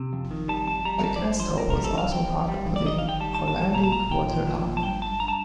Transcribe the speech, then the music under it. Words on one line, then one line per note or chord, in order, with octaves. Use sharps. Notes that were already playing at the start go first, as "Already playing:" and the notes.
The Castle was also part of the Hollandic Water Line.
Already playing: C3
F2
D#3
G3 A5
F2 A5
G3 A#5
F3 A5
D5
G2 C5
F3 C5
F2 A#4
A#4
G3
A4
F2 F5
F2 G5
F2
G3
G2
D5
D#3 D#5
D#3 F5
G5
G3 A5
A5
A2
A5
G3
A5
A#2 A#5
A5
A#2 A#5
A#2 G5
F3
F3
A#2
A5
G2 G5
G2 A5
G2 A#5
A5